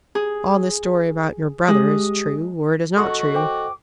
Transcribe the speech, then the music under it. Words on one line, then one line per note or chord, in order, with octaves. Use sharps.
All this story about your brother is true or is not true.
G#4
G#3 G4 D#6
F#4 A4 D#5 F#5 C#6
C5 G5 D6